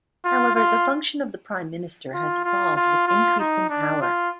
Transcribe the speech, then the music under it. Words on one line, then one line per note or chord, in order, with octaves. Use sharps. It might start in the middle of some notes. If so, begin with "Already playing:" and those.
However, the function of the prime minister has evolved with increasing power.
F4
F4
F4
F4
F4
F4
D#4
D4
F4